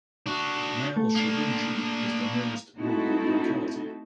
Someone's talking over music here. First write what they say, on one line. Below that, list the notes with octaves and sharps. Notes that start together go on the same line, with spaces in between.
Malye Shcherbinichi is the nearest rural locality.
D4 F#4
A3
A#3 D4
A3 C4 D#4 E4 F#4 A4